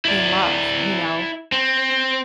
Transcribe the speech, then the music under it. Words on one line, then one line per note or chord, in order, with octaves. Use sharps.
in love, you know?
E4 D5
C4